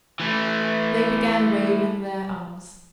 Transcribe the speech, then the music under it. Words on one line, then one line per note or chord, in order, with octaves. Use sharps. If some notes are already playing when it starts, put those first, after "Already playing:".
They began waving their arms.
E3 A3